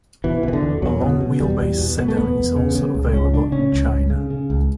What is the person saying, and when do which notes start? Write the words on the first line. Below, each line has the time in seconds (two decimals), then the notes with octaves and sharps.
A long wheelbase sedan is also available in China.
0.24 B2 E3
0.43 B2 E3
0.53 D3
0.63 E2
0.82 E2 F#3
1.01 B2
1.20 B2
1.40 E2 G3
1.59 E2
1.78 B2
1.97 B2 B3
2.08 A3
2.17 E2 B3
2.37 E2
2.56 C#3
2.75 C#3
2.94 C#2
3.13 C#2 C#4
3.34 C#3 D4
3.52 C#3 C#4
3.72 C#2
3.91 C#2
4.10 C#3
4.30 C#3
4.50 C#2